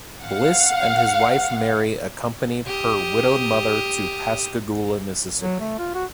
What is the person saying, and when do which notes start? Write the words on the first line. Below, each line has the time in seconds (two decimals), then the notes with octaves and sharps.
Bliss and his wife Mary accompanied her widowed mother to Pascagoula, Mississippi.
0.23 F5 F#5
2.66 G4 D#6
5.42 F#3
5.60 A3
5.78 F4
5.95 F#4